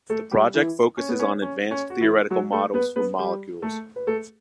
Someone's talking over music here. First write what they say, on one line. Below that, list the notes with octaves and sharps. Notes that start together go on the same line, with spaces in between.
The project focuses on advanced theoretical models for molecules.
A3 A4
G3 G4
E3 E4
C#4
B3
C#4
C#4
C#4
F#4
E3 E4
F#3 F#4
A3 A4
B3 B4
B3 B4
G3 G4
A3 A4
B4
A3 A4